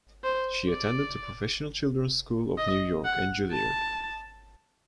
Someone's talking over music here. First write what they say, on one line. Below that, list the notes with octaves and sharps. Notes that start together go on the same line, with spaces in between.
She attended the Professional Children's School of New York and Juilliard.
C5
D5
D#5
F#5
A5